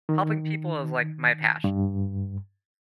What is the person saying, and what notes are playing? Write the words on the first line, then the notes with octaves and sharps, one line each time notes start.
helping people is, like, my passion,
D#3
G2